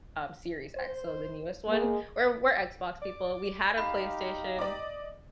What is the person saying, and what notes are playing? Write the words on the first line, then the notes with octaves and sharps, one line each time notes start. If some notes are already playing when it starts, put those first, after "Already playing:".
um, Series X, so the newest one. We're we're Xbox people. We had a PlayStation,
C5
G#3 A#3
D5 D6
D#4 G4 F5 B5
D5 D#5 D6